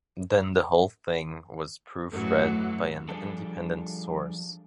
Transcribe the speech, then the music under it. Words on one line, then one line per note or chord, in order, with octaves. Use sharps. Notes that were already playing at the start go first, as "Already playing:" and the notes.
Then the whole thing was proofread by an independent source.
F#2 A2 E3 F#3
F3 G3 D4 G#4 A4